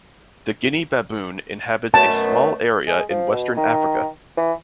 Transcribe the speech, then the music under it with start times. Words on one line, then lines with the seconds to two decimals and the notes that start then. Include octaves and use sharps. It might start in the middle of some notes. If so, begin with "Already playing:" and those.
The Guinea baboon inhabits a small area in western Africa.
1.94 F#2 B2 A3 A5
2.87 G#3
3.10 F3
3.31 B2
3.57 D#3
4.37 E3